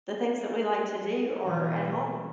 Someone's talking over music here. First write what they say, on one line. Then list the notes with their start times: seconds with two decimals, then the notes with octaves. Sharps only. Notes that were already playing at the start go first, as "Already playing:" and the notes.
the things that we like to do are at home,
1.44 B2 E3